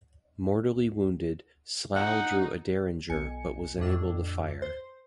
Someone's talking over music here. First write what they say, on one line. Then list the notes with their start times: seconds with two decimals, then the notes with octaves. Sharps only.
Mortally wounded, Slough drew a derringer but was unable to fire.
1.96 D#4 F#5
3.10 B1 G#5 C#7
3.78 F2 A2 D4 E6
4.62 C5